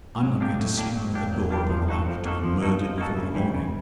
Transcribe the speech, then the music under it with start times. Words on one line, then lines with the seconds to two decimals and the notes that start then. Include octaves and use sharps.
I'm not going to sleep with the door upon the latch, to be murdered before the morning.
0.23 G#2 F#3
0.40 A#3 D4 G4
0.59 A2 F#3
0.77 A#3 D4 G4
0.95 G#2 F#3
1.14 A#3 D4 G4
1.32 E2 F#3
1.51 A#3 D4 G4
1.69 F3
1.88 A#3 D#4 F#4 A4
2.06 F2 F3
2.25 A#3 D#4 F#4 A4
2.43 F#2 F3
2.62 A#3 D#4 F#4 A4
2.79 F#2 F3
2.98 A#3 D#4 F#4 A4
3.17 C#3
3.35 E3 G3
3.54 C#3